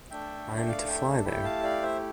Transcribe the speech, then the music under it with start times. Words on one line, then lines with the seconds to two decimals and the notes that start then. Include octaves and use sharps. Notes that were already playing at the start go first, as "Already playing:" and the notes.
I'm to fly there.
0.10 A3 D4 A4 E5 G5
0.57 E5
0.68 D5 F5
0.87 E5 G5
1.25 A3 E4 G4 G5 B5
1.44 F5 A5
1.63 D5 F5
1.82 C5 E5